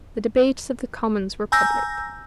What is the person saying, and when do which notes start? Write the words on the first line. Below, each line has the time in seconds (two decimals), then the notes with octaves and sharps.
The debates of the Commons were public.
1.52 G#5 A#5 E6 G6 A#6